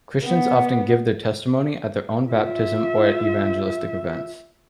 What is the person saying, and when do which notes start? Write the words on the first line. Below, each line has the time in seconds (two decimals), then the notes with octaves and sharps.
Christians often give their testimony at their own baptism or at evangelistic events.
0.25 B3 F#5
2.29 F4 E5